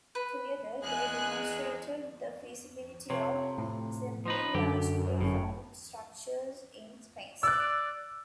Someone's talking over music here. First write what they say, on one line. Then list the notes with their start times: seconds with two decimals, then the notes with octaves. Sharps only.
Together, they demonstrated the feasibility of assembling large pre-formed structures in space.
0.15 B4
0.82 E2 G#3 G#5 F#6
3.10 F2 C3 C#5
3.58 A2
4.25 F3 D#4 B4
4.55 F#2 D3 G4
5.21 G1 A2 C#4
7.43 D5 E6 F#6